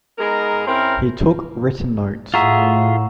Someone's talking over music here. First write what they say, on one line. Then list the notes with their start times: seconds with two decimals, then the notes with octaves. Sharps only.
He took written notes.
0.19 G#3 B3 D#4 A#4
0.67 C4 C#4 E4 A#4
2.34 A2 F4 G#4 E5 F#5 A#5 C#6